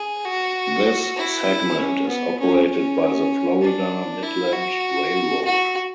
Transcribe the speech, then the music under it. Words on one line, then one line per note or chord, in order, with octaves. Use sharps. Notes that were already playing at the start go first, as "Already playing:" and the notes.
This segment is operated by the Florida Midland Railroad.
Already playing: G#4
F#4
E4
C#4
B3
C#4
C#4
D4
E4
F#4
F#4